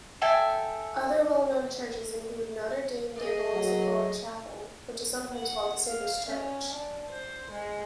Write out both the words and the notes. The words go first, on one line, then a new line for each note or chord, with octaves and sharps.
Other well-known churches include Notre-Dame-de-Bon-Secours Chapel, which is sometimes called the Sailors' Church.
A4 E5 G5 G#5
G#4 D#5
F#3
F#5
F5
C#4
D4
C5
G#3